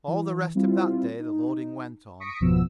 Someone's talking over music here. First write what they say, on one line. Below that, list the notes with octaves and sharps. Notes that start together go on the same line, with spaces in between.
All the rest of that day the loading went on.
E3
G3 C4 E4 F4
D#4
C#6 D#6 A#6 B6 C#7 D7
G#1 F2 B2 F3 B3 E6